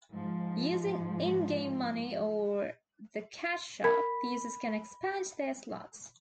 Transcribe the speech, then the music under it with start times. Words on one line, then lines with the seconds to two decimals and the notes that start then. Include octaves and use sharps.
Using in-game money or the cash shop, users can expand their slots.
0.13 G#2 F3
3.84 A#4 B5